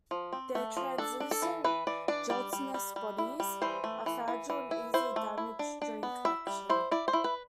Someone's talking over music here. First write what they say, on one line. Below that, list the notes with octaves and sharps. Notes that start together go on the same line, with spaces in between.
Their translucent, gelatinous bodies are fragile and easily damaged during collection.
F3
C4
A3
F3
D4 A4
D4
A4
E3
E3 B4
E3 D5
D4 D5
G3 D5
G3
G3
G3
E4
G3
E3 C5
A3
E3
E3
E3
E4
E4 C5
A3
E4
D4
D4
B3
E4 E5
G3
E4 C5
E4 D5
C5
E4
B4